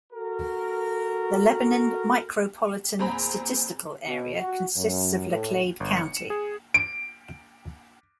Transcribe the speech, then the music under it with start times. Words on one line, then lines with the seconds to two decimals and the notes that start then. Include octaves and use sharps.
The Lebanon Micropolitan Statistical Area consists of Laclede County.
0.13 F#4 A4 A#4
2.99 E2 A#2 C4 A#5 B5
4.07 B2
4.39 F#4
4.76 F#2
5.31 A2
5.80 G1
5.97 C#7
6.17 E7
6.30 G#4
6.74 D7